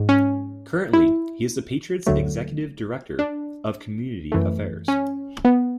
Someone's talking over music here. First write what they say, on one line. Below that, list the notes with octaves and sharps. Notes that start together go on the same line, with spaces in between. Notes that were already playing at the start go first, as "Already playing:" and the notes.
Currently, he is the Patriots' executive director of community affairs.
Already playing: G#2 G#3
C#4
E4
D2 D3 F#3 A3
D4
F#2 E3 A3
C#4
B3